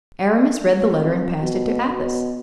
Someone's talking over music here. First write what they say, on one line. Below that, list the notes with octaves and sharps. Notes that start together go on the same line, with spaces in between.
Aramis read the letter, and passed it to Athos.
F2
B2
B2